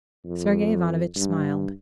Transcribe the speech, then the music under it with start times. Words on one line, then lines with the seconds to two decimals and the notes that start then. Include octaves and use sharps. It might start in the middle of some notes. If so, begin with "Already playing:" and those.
Sergey Ivanovitch smiled.
0.24 F2
1.16 G2